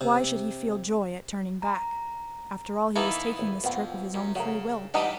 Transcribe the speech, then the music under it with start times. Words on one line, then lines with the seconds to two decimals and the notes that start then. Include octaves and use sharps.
Why should he feel joy at turning back? After all, he was taking this trip of his own free will.
0.01 C3
1.62 A#5
2.96 E3 A#3 B3 D#4 E4 A4
3.39 G#1
3.64 F2 A#2 B3
4.14 F#2
4.35 C#3 F#3 A3 A#4
4.94 E3 G3 D4 D#4 G4 D#5 F#5 A#5